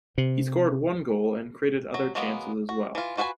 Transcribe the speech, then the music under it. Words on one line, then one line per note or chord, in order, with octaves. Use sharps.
He scored one goal and created other chances as well.
C3
F#3
F#3 G#3 A#3 B3
F#4
E3 F4
F4 F#4 B4 C5 G#5